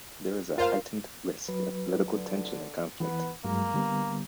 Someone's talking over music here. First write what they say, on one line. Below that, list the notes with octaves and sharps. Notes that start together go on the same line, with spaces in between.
There is a heightened risk of political tension and conflict.
F4 A#4 C5 F5
F#3 B4
D3
E3 B3
G2 F#3 G#3 A#3
D3 G3 B3